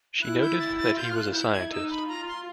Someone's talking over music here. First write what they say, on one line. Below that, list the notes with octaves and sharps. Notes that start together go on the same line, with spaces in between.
She noted that he was a scientist.
E4 F#6
G6
A6
A6
F4 G6
F6
F#6
E4 G6
G#6
D#4 E6
B5
F4 A#5
C6